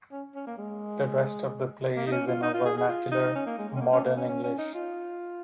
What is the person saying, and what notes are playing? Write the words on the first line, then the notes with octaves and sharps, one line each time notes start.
The rest of the play is in a vernacular, modern English.
C#4
C#4
A#3
G#3
A#3
D#4
C#4
F4
D#4
F4
G#4
G#4
F4
D#4
C#4
A#3
G#3
G#3
C#4
A#3
C#4
A#3
C#4
C#4
C#4
D#4
F4